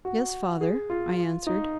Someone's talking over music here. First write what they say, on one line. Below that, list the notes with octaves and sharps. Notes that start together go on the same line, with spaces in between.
"Yes, father," I answered.
F#4
G#4
F4
D#4